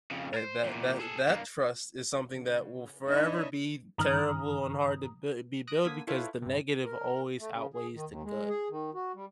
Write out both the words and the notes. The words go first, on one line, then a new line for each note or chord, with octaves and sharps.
and that that that trust is something that will forever be terrible, and hard to b be built because the negative always outweighs the good.
F2 C#3
A#4 C5
E2 A#2
G#4 A4
G2 A#3
C#3
D4 D#4 B4 C#5 D#5 E5
G2 D#3 A#5 D#6 F6 F#7
D#6 F#6 A#6 D7
D3 A#3 D#6 G#6 B6
E4 F4 A4 B4 C#5 F5
G2 C3
A#4
A3
C#3
G#4
D#3
D#2
G#3
G#4
D#3
F#4
G3